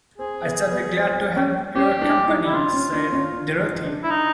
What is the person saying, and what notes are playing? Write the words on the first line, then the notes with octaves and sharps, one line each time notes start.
"I shall be glad to have your company," said Dorothy.
C4 G#4
B3
B3
C4
C#4
C#4 G4
D4
D#4
E4
D4 F4
C#4
D4
C#4
D4
D#4
D4
E4
D#4